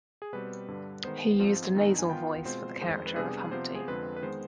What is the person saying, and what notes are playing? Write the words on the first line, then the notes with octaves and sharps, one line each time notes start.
He used a nasal voice for the character Humpty.
G#4
B2 G3 C4 B4
G2 D3 G3
D#3 G#3 B3 C5
G#2 F3 C4 F4
G2 D#3 B3 D#4
G#5
D#3 B3 F4 G5
B2 G#3 C4 F4 C5
F2 D#3 G#3 C5
B4
C3 G3 B3 D4 G#4
C3 F3 B3 F4 C5
G#4
F2 D3 G#3 C4 F4 B4
B4
D#3 G#3 B3 C5